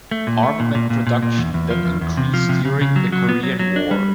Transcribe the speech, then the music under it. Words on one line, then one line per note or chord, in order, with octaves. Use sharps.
Armament production then increased during the Korean War.
A3
A#2
A3
A#2
A#2
A#2
A#2
A#2
E2
E2
F3
E2
E2
C3
F3
C3
C#3
C#3
F#3
F#3
B3
F#3
F#3
D4
G3